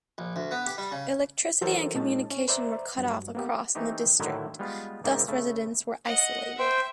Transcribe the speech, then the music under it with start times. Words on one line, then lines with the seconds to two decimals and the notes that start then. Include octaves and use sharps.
Electricity and communication were cut off across in the district, thus residents were isolated.
0.18 A#1
0.36 D2
0.51 B3
0.66 G4
0.78 G3
0.92 C#3
1.61 E3 F#3 A4 A#4 C5
1.95 A#2 G#3 C#4 D#4 A5
2.31 C#4
2.48 B4 C5 D5 E5 A#5
2.98 G2 F#3
3.35 A#3 B3 G4
3.75 E3 A3 C4 D#4 G4
4.20 A2 D3 D#3 F#3 E4
4.59 G3 G#3 B3 F4
5.04 G#2 C#3 A#3 C4 D5 E5
5.28 C#3 A3
6.05 D#5 F#5
6.59 C5 E5 G5